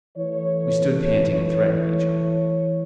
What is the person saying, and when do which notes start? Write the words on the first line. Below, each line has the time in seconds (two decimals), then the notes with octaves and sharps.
We stood panting and threatening each other.
0.17 E3 A3 C#5